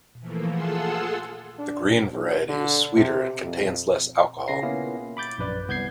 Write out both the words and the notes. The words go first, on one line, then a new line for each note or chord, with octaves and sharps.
The green variety is sweeter and contains less alcohol.
E3 F3 A3 A#3
F4 G#4 A4 F#5 C6 E6
D4
B1
D3
C3
F2
C#3 A#6 C7
A#3 B3 C#4 E4 F4
B5 D6 G6 A6
A#1 F#2 B4 D5
C2 B3 G6 G#6 C7